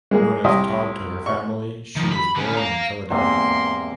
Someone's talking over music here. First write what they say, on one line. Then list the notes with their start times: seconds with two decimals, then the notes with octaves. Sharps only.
Known as "Tod" to her family, she was born in Philadelphia.
0.11 G#3 A#3 G#4
0.44 C2 D#5
1.26 C#6
1.96 D#3 F3
2.12 B5
2.36 D3 C#4
2.57 F5 A#5
3.11 E2 G#2 C3 A#3 C6